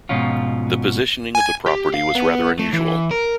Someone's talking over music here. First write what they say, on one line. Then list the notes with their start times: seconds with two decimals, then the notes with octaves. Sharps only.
The positioning of the property was rather unusual.
0.09 G#2 B2 F3 C#4 F4
1.35 G#5
1.66 G4
1.94 F5
2.15 B3
2.59 A3
2.73 E3
3.11 A#4